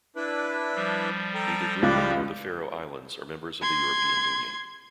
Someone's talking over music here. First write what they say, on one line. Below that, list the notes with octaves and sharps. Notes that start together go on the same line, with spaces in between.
Neither Greenland nor the Faroe Islands are members of the European Union.
D4 E4 B4
F3 G3
A4 G5 A#5
C#2 F4 G4 D5 F#6
C6 G#6